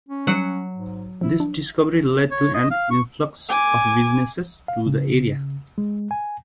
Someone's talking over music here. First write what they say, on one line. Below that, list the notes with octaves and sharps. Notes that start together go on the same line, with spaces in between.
This discovery led to an influx of businesses to the area.
C#4
F#3 G3 F#5
G#2
F3 E4
D4
C#5
D#5
F5
C#6
G#5 D6
F5
C#3
G#3
G#5